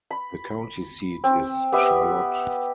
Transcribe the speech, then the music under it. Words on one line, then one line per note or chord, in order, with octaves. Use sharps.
The county seat is Charlotte.
B5
C4
B3 G4 B4 E5